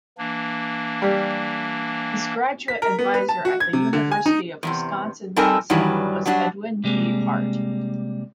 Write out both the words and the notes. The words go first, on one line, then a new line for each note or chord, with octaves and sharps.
His graduate advisor at the University of Wisconsin-Madison, was Edwin B. Hart.
E3 A#3 D4
G3
B6
A#4
B3
B4
A5
F#4
G#6
C3
D3
G#5
D#4
E2 A2 C3
G3 C4 D#4 A4 A#4 G#5
G2 D#3 E3 F#3 G3
F#3 G3 D4 F#4
C3 G3 G#3 A#3